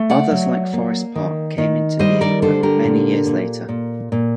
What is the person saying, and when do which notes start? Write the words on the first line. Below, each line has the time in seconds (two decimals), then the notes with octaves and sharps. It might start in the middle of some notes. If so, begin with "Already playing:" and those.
Others like Forest Park came into being only many years later.
Already playing: A3
0.10 D5 F#5
0.31 F#3
0.73 A#3
1.15 D#3
1.58 D#3
1.99 G3 C5 D#5
2.21 A#4 D5
2.42 D3 A4 C5
2.63 G4 A#4
2.84 A#2
3.26 A#2
3.69 A#2
4.12 A#2